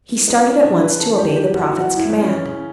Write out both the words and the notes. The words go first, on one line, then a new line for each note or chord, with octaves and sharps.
He started at once to obey the prophet's command.
E3
C#2 B3
E3 C#4
C#3 D4
C#3 B4
E3 A4
G1 G4
E3 G4
G4
G1 F#4
E3 F#4
F#2
E4
G1
C#4
E3
C#3